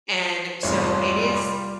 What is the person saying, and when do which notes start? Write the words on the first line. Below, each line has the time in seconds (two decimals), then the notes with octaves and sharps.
and, so, it is
0.63 F1 E2 G#2 G3 G#3 F4 C#5